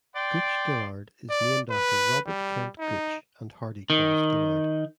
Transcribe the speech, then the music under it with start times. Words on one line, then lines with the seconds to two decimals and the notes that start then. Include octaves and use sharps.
Gooch Dillard is named after Robert Kent Gooch and Hardy Cross Dillard.
0.16 D5 G5 C6
1.30 D5
1.71 B4
2.27 G3
2.79 D#4
3.90 D#3